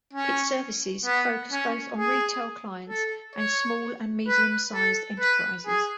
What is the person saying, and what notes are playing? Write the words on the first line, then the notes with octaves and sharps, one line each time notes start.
Its services focus both on retail clients and small and medium-sized enterprises.
C#4
B3
C#4
G#4
A4
C#5
B4
A4
B4
G#4